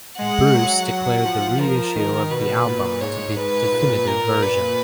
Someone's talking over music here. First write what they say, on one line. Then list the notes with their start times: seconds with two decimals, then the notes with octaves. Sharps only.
Bruce declared the reissue of the album to be the "definitive" version.
0.18 G#3 F#5
0.54 F#3
0.90 F#5
1.24 F3
1.60 A#4
1.95 D#3
2.30 B2 B4
2.66 A#2
3.01 G#2 C#5
3.36 G#2 B4
3.72 A#2
4.07 A#4
4.43 B4